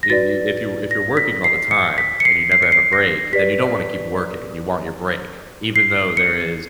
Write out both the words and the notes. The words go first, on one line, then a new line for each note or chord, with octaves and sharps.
i if you if you're working all the time, and you never have a break, then you don't wanna keep working. You want your break, even though there is
A#6
F#4 B4 D5 A6
A#6
B6
C7
C#7
B6
C#7
C7
C7
C#7
C7
A#6
G4 B4 D5 B6
C7
C#7